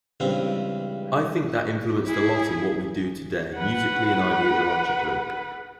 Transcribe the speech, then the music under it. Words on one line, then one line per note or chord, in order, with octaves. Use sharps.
I think that influenced a lot in what we do today musically and ideologically.
C#2 G2 E3 C4
E4 G#4
B4 F#5